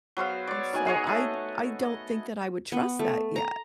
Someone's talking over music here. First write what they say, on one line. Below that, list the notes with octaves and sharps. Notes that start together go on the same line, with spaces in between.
and so I I don't think that I would trust that yet,
F#3 B3 C5 F5
C#5 D5
D#4 F#4 F#5 G#5
G#4 C#5 D#5
A3
D#5
B3
A3
A#5